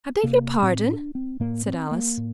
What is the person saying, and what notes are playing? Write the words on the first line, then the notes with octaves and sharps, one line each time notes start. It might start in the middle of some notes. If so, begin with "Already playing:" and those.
'I beg your pardon?' said Alice.
C3 A#3
A2 C4
D4
C4
A2 A#3
C4
A#3
A2